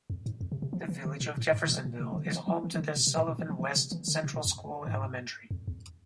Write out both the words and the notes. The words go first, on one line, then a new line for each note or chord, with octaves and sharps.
The Village of Jeffersonville is home to the Sullivan West Central School elementary.
F2
G#2
F2
C3
C3
F3
E3
D3
B2
A2
G#2
B2
B2
C3
E3
D3
E3
F3
E3
E3
D3
B2
C3
A2
B2
E3
F3
E3
C3
E3
D3
C3
B2
F2
G#2
F2
E2